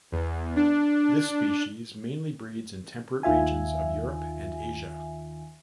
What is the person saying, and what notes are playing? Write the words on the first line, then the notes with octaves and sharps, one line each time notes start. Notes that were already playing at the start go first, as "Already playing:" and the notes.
This species mainly breeds in temperate regions of Europe and Asia.
E2
D4
D#2 D#3 F4 E5 G#5